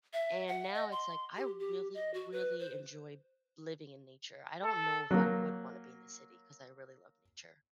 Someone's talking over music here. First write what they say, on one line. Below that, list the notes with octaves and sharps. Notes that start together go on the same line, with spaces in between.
and now it's like, I really, really enjoy living in nature. I don't know if I would wanna be in the city 'cause I really love nature.
E5
F#5
D#5
C6
G4
G4
D#5
F#4
B4
C5
A4
F#3 A#3